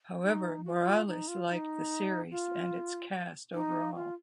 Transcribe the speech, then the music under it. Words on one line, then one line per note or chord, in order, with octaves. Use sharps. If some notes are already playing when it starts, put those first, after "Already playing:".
However, Morales liked the series and its cast overall.
D#4
F#4
F4
D#4
F4
F4
D#4
F4
D#4
F4